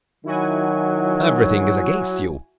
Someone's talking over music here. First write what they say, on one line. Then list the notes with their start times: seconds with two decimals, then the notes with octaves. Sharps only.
Everything is against you.
0.25 D#3 F#3 E4 F#4 G#5